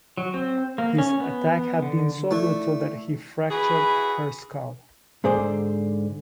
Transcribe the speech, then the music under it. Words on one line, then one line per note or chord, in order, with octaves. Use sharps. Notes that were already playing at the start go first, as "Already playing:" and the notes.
His attack had been so brutal that he fractured her skull.
F#3
C4
A#3
C#4
B3
D3
A3 E4 D5
E4 F#4 G#4 B4 B5
G#2 D3 G#4 C5 D5